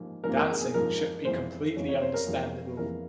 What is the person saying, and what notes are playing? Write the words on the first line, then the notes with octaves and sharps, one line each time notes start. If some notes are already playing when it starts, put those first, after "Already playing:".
Dancing should be completely understandable.
Already playing: G#2 F3 A#3
G#2 F3 A#3 A#4
A#4
G#4
G#4
G#2 F3 A#3 A#4
F2 E3 G#3 C5
F2 E3 G#3 C#5
C#5
C5
A#4
F2 E3 G#3 G#4
F2 E3 G#3 A#4